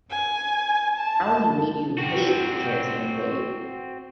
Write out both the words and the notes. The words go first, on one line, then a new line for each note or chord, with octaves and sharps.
How he made you hate the character he played!
G#5
A5
C4 F#4